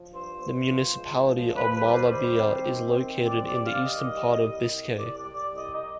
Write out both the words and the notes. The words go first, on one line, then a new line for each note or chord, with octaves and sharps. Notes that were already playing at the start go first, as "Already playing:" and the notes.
The municipality of Mallabia is located in the eastern part of Biscay.
Already playing: F3
G2 C5
B3 C5
F3
G#3
F3
D#2 B4
B4
G3
C5
D#3
C4
D#3
C4
D#3 D5
D5
G3
F5
G3 D#5
G3
C2
C2
G3 D5
D5
G3
D5
C2 D#5
D#5